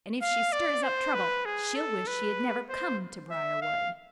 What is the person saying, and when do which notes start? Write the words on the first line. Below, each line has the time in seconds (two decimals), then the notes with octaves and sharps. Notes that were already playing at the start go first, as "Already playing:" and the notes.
"And if she stirs up trouble, she'll wish she had never come to Briarwood!"
0.22 F5
0.52 D5
0.83 C5
1.14 B4
1.45 G#4
1.76 A4
2.07 B4
2.69 C5
3.31 E5
3.62 F5